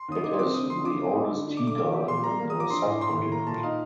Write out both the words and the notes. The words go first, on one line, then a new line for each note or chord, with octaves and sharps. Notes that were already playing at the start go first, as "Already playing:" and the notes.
It is the oldest tea garden in the subcontinent.
Already playing: C6
D#2 D#6
D#4 D6
C6
C4 D6
D3 D#6
D3 C6
D3 D6
C4
D#4
D3
D4
D6
A3
D6
F3 D6
G4
A#2 C6
G3 A#5
A#3
D#6
F3 D6
D4 C6
A2
A2 C6
A2
A#3 A#5
A#2 A5
D#4 F5